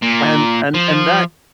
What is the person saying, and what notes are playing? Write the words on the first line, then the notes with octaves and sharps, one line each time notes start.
and and and that
A#2
F3